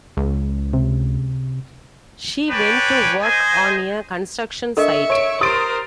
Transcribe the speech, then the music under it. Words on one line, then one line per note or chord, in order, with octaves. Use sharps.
She went to work on a construction site.
C#2
C3
D4 B4 C#5 D5 G5 G#5
C5 D#5 G#5
D4 A4 A#4 D#5 E5 C#6
C#5 D7
G4 A#4 C5 C6 D#6 A6 D7